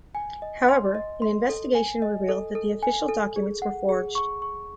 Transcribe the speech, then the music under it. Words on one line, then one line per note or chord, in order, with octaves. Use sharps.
However, an investigation revealed that the official documents were forged.
G#5
D#5
C6
D#5
C6
A4
G#5
D#5
A4
A4
G#5
A4
G#4
F#5
G#4
C#6
C#6